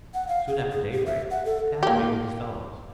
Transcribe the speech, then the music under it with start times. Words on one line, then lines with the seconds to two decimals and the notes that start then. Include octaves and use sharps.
Soon after daybreak, Tad awakened his fellows.
0.14 F#5
0.28 F5
0.48 G#4
0.71 G#4
0.92 G4
1.06 E5
1.30 F#5
1.45 A4
1.83 A#3 G4